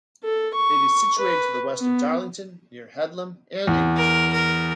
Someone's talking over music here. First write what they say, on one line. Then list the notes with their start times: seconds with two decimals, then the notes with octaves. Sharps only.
It is situated to the west of Darlington, near Headlam and Ingleton.
0.24 A4
0.54 C#6
1.18 B4
1.80 B3
3.67 E2
3.96 A#4
4.33 A#4